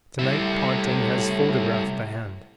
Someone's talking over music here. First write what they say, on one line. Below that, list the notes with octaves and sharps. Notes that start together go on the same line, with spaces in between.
To-night Ponting has photographed the hand.
A2 G3 E4